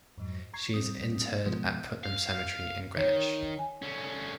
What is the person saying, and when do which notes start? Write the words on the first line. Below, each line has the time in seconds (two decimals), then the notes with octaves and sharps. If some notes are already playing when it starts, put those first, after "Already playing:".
She is interred at Putnam Cemetery in Greenwich.
0.18 F2 G#2 F#3
0.54 A#5 C#6 G#6 C7
0.74 G3 C4 D#6
1.26 A#3 F5
1.45 B2 F3 G#3 B3
2.04 F5
2.97 D#3 C#5
3.59 G#5
3.82 D3 C#4